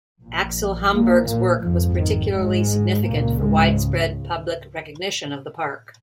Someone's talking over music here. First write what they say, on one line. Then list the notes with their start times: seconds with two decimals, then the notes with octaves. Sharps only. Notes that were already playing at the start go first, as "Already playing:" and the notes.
Axel Hamburg's work was particularly significant for widespread public recognition of the park.
0.22 A#1 A#2
0.92 A#2 A#3
1.28 A#2 A#3
1.63 G#1 F2 G#2 F3
1.99 D#3
2.34 G#2 G#3
3.05 C#2 A#2 C#3 A#3
3.41 G#2 G#3